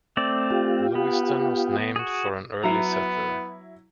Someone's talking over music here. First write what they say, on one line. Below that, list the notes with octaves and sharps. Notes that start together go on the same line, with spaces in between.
Lewiston was named for an early settler.
A3 C4 D5
F4 G4
B3
F#4 G#4
F#3 B3 E4 F5 F#5 A#5